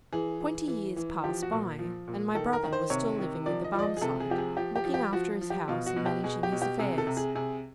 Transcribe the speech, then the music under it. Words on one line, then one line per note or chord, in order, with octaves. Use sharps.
Twenty years passed by, and my brother was still living with the Barmecide, looking after his house, and managing his affairs.
E3 G#4
E3
E3
E3
F3 G4
F#4
A#2
F3
A#2
D#3 A4
A#4
D#3
C5
C3 C#5
D#3
F3 D5
D#5
F3
D5
D#5
G#4
C3 A4
G#4
F3 G4
G#4
F3 G4
G4
F3
G4
F3 F#4
F3
G4
B2 F4
F#4
B2
G4
B2 G#4
G4
B2
G4
C3 G#4
A4
C3
G#4
C3 G#4